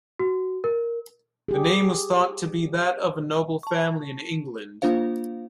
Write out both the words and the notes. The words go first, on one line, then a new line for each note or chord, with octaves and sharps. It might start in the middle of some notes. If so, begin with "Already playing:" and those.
The name was thought to be that of a noble family in England.
F#4
A#4
G4 G#4
A5 C#6
A#3 D4 F4 C5 F5